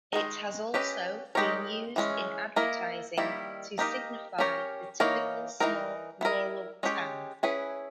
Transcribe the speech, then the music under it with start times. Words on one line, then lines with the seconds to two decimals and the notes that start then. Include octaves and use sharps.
It has also been used in advertising to signify the typical small rural town.
0.13 D#3 G#3 D#4
0.74 C#4 G4 B4 D#5
1.35 G#3 D#4 G4 A#4 C#5
1.96 E3 G#3 C#4
2.56 A#3 E4 A#4 D#5
3.18 D#3 G3 A#3 E4
3.78 A#3 D#4 G4 A#4 D#5
4.38 C#4 G4 A#4 C#5
5.00 E3 A#3 D#4 A#4 C#5
5.60 E3 A#3 D#4 A#4
6.21 B3 E4 A#4 D#5
6.83 G#3 C#4 G4 C#5
7.43 C#4 E4 G#4 B4